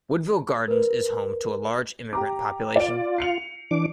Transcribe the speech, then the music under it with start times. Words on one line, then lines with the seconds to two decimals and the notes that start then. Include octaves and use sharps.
Woodville Gardens is home to a large immigrant population.
0.68 A#4 B4
2.13 G4 A#5 D6
2.76 F4 D5 D7
3.18 C7 C#7 F7
3.71 E3 D4 D6